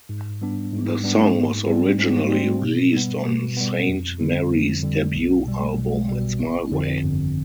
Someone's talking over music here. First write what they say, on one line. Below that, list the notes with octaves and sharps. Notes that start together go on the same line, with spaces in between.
The song was originally released on Sainte-Marie's debut album It's My Way!
G#2
G3 B3 D4
G#2
G3 B3 D4
G#2
G3
C4
G#2
G3 C4
B2
G3 B3
B2
G3 B3
F2
D3 G3
F2
D3 G3
B1
B2 G3
B1
B2 G3
G1
F2 D3 F3 C4
G1